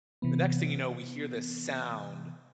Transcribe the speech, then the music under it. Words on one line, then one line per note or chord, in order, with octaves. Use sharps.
the next thing you know, we hear this sound
C3 E3 B3